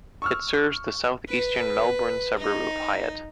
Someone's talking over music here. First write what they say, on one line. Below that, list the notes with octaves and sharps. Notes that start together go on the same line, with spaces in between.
It serves the south-eastern Melbourne suburb of Highett.
C#6 E6 F6
B4
D#4